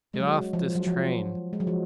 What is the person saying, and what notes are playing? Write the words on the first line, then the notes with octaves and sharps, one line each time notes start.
"Get off this train."
G#3
F#3
F3
F#3
F3
G#3
F#3
F3